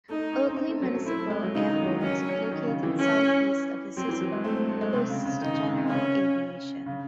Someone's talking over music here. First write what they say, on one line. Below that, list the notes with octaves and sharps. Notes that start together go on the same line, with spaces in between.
Oakley Municipal Airport, located southeast of the city, hosts general aviation.
A3 D#4
C#4
C4
C4
A3
F#3
A3
C4 E4
A3
G#3
F#3
C#3 D#4
D#3
F#3
E3
F#3 C#4
D#3
C#3
E3
C#4
F#3 C4
E3
F#3
G#3
A3 C4
C4
A3
G#3
C3 C4
C#3
C#3
D#3 D#4
C#3
C3
C3
C#3 C#4
C#3